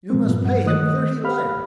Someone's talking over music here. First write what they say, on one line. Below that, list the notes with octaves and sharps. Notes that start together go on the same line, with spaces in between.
"You must pay him thirty lira."
A#2 F3 G#3 B3 C4
G2 A#2 F3 B3
G2 F#5
D#3 A3 D#5 D#6 F#6
G4 F5 B5 F6